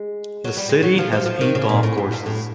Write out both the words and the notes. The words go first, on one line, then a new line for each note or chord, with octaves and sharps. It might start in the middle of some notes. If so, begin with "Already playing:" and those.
The city has eight golf courses.
Already playing: G#3
F#3
G3
G#3
F#3
F3
F3
F3
D#3
C#3
A#2
A2
G#2
G2
A2